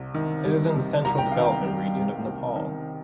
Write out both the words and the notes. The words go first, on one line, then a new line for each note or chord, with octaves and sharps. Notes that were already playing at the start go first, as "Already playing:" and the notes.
It is in the Central Development Region of Nepal.
Already playing: C2 C3
D#3
G3
C3
C2 A#5
G5
D#3 F5
G5
G3
C3
C2
D#3